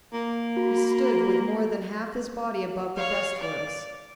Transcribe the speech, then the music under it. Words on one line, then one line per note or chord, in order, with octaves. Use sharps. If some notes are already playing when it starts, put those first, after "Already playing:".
He stood with more than half his body above the breastworks.
A#3
F#4 B5
C#5 F5
D5